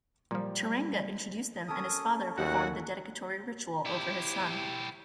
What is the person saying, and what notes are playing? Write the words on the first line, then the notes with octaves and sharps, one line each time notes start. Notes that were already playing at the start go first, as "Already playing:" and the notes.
Taranga introduced them and his father performed the dedicatory ritual over his son.
A#2 F3 G3
C#4 A4 A#4 D#6
D#2 F#4 F#5
E4 G4